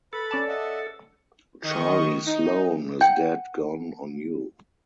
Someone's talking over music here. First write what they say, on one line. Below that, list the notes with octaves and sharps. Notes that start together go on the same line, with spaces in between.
Charlie Sloane is dead gone on you.
A4 B4 B5
C#4 D5 A5
D#5 E5 F#5
D#3 D#5 C#6
D#4
F#5 G5